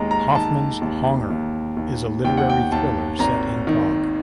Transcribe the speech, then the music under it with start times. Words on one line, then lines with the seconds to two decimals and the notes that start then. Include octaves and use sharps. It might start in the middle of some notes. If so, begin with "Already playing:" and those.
"Hoffman's honger" is a literary thriller set in Prague.
Already playing: D#2 G#3 A#5
0.11 A#5
0.34 D#3 A5
0.82 D#2
1.30 D#2
1.77 D#2
2.24 D#2 G5
2.37 F#5
2.50 G5
2.72 D#2 A5
3.19 G#1 A#5
3.67 D#3